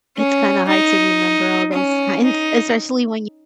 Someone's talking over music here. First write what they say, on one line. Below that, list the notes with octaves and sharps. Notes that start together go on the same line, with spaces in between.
It's kinda hard to remember all those kinds, especially when you
C#4
D#4
C#4
D#4